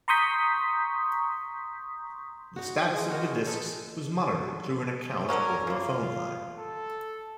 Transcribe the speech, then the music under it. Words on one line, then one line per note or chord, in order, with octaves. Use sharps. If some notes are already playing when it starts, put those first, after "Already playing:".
The status of the discs was monitored through an account over a phone line.
A#5 C6 C#6 D#6 G6 B6
D#4 F#4
G#3
F#4 A#4 D#5
D#4 A4 B4
D3 F#3 C#4 A#4
C#3 A#3 F4
A4